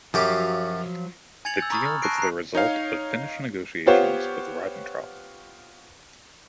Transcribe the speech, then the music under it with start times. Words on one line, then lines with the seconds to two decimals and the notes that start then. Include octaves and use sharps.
The deal was the result of Finnish negotiations with Ribbentrop.
0.14 F#2 F3 F#3 G4 F5 D6
1.45 G#5 G#6 A6 C#7 F7 F#7
1.58 E6 G6 A6
1.70 A#5 B5 C#6 D#6 F6 A6
1.85 F6
2.02 A5 C#6 F#6 A#6 C7 D7
2.18 A#5 F#6 C7
2.55 D#4 C#5 F5
3.86 B3 F4 G4 C5 C#5 F#5